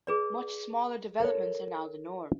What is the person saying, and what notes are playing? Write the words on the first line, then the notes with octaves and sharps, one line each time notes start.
Much smaller developments are now the norm.
G#4 B4 D5
A4 A#4 C#5